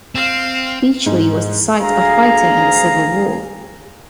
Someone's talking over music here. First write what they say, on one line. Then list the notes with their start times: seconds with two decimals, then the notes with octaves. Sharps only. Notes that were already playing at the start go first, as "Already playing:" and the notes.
Beachley was the site of fighting in the Civil War.
0.15 C4 F5
1.06 G#2
1.81 D2 G#4 F5 A#5